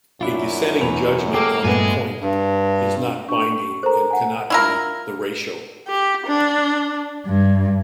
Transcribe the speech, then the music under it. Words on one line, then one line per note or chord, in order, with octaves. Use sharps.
A dissenting judgment on the point is not binding and cannot be the ratio.
F#2 D4 E4 F4
E2 B4 F7
A#3 G4 A4
G2 A#2 A3 B3 D#5 G#5
G2
D4 C#6
A4 A#4 C5 A#5
F#5 G#5
E4 F4 A#4
G4
D4
G2